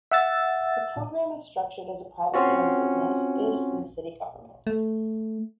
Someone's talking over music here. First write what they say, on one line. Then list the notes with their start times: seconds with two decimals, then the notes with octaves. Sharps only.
The program is structured as a privately owned business based in the city government.
0.11 E5 F#5 E6 A6
2.34 C4 C#4 F4 F#4
4.67 A3